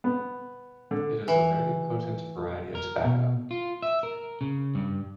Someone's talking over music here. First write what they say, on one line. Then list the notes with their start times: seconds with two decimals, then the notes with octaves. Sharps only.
It is a very potent variety of tobacco.
0.04 B3
0.91 D3
1.28 E3
2.75 A#4
3.05 B2
3.51 F4
3.82 E5
4.03 A#4
4.41 C#3
4.75 G2